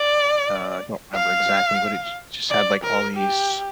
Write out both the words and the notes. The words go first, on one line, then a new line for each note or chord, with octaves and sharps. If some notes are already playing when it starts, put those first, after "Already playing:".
uh, I don't remember exactly, but it j just had, like, all these
Already playing: D5
F5
D5
A#4
G4